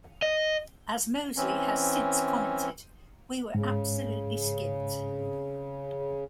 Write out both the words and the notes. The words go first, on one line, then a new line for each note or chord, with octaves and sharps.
As Mosley has since commented: We were absolutely skint.
D#5
E3 C4 C#4
G#2 C#3